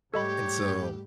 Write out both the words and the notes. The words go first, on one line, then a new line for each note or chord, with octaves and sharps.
And so
G#2 G3 A3 G4 A4 C#5 D#5 B5